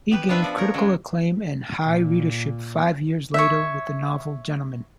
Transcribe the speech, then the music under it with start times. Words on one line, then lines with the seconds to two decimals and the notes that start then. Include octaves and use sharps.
He gained critical acclaim and high readership five years later with the novel, "Gentlemen".
0.11 B3 G4 B4
0.29 B3 D4 F4 B4 E5
0.42 F3 D5
0.57 A#4 C#5
0.74 C#3 F#3 G#3
1.86 A#2
3.34 C#5 E5